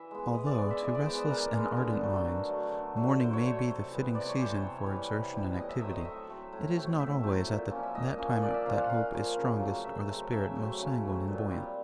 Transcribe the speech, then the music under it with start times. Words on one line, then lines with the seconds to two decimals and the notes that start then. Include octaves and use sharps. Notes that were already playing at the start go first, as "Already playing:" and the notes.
Although, to restless and ardent minds, morning may be the fitting season for exertion and activity, it is not always at that time that hope is strongest or the spirit most sanguine and buoyant.
Already playing: E3 E5
0.11 G#3 B3
0.35 E3 D#5
0.46 D5
0.58 G#3 B3
0.71 E5
0.82 E3 D#5
0.95 D5
1.06 G#3 B3 C5
1.18 B4
1.30 E3 A#4
1.53 G#3 B3
1.77 D3
2.01 F#3 A3
2.25 D3
2.48 F#3 A3
2.72 D3
2.96 F#3 A3
3.20 D3 C5
3.33 C#5
3.44 F#3 A3 C5
3.68 C3
3.91 E3 G3 B3
4.15 C3 D5
4.29 C#5
4.38 E3 G3 B3 C5
4.57 C#5
4.62 C3
4.86 E3 G3 B3
5.10 C3
5.34 E3 G3 B3
5.57 A2 D#5
5.69 E5
5.81 F#3 A3 C4 D#5
5.93 D#5
6.05 A2 E5
6.29 F#3 A3 C4
6.52 A2
6.76 F#3 A3 C4
6.99 A2 E5
7.23 F#3 A3 C4
7.47 A#2
7.71 F3 A#3 C#4
7.83 E5
7.95 A#2 D#5
8.18 F3 A#3 C#4
8.42 A#2 D5
8.54 E5
8.65 F3 A#3 C#4 F5
8.78 F#5
8.89 A#2 F5
9.13 F3 A#3 C#4
9.37 C#3
9.61 F#3 A3 C4
9.84 C#3 E5
10.09 F#3 A3 C4
10.33 C#3 E5
10.56 F#3 A3 C4
10.80 C#3
11.03 F#3 A3 C4
11.27 A#2
11.51 G3 C4